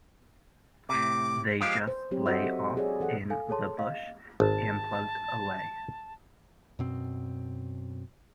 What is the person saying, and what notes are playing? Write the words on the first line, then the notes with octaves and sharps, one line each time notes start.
They just lay off in the bush and plugged away.
A2 C3 D6
F3 G#3 G4 F5
C5
F#3 C4 G4 C#5
F#4 A4 C5 D#5 E5 F#5
G#4 C#5 D5
E3 A4 F#5
A4 F5 G#5
G#4 A4 C#5 A5 C6
D#5 F5
G#1 A5
F#2 B2 C4